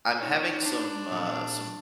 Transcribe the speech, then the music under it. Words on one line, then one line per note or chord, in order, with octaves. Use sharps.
I'm having some, uh some
D#4 C#5 D5
D4
A#2 F#3